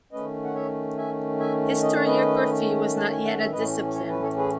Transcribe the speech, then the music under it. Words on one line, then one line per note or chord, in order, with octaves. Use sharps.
Historiography was not yet a discipline.
D#3 A3 C#4 B4 D#5
F#5
C#5 E5
E5 G#5
E5 G#5
D#5
C#5
B4 D#5
A5
G#5
F#5
E5
A2 E3 A3 C#4 B4 D#5
C#5
B4
A4 C#5
G#4 B4